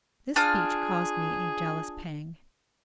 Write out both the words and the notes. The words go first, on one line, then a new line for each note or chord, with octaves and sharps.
This speech caused me a jealous pang.
D4 F4 G#4 F6